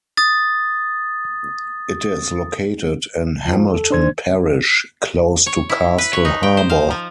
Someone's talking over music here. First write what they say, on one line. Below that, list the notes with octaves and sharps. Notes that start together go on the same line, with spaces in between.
It is located in Hamilton Parish, close to Castle Harbour.
D#6 A6
F3
A4
D4 C5 G#6
C#5
E4
B4
C#5
D#4
G5
C5
F5
F3